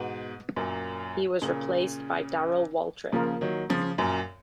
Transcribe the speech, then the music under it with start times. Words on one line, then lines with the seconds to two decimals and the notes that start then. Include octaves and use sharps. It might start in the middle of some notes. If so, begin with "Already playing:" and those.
He was replaced by Darrell Waltrip.
Already playing: G#2 B2 B3
0.56 F#2 A#2
1.42 A#2 C#3
3.13 C#3 F3 A#3 F4 A#4
3.41 D#3 F#3
3.70 C#3 F3
3.98 F#2 A#2